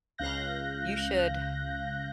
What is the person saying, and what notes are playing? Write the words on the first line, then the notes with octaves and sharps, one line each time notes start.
You should
C#2 F5 F#6 G6 A#6